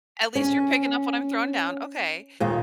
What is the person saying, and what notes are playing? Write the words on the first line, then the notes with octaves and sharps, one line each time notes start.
at least you're picking up what I'm throwing down, okay.
C#4
D#2 A#2 D#3